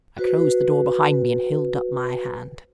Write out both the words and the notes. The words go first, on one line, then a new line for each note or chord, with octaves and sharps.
I closed the door behind me and held up my hand.
F#4 B4 C5